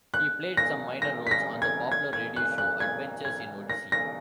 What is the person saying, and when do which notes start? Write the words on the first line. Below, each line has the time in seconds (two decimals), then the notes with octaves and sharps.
He played some minor roles on the popular radio show, "Adventures in Odyssey".
0.14 F#6
0.57 A#6
1.02 A#6
1.27 B6
1.31 A#6
1.62 G#6
1.92 G#6
2.13 G#6
2.36 F#6
2.58 F#6
2.80 G#6
3.25 G#6
3.70 A#6
3.92 A#6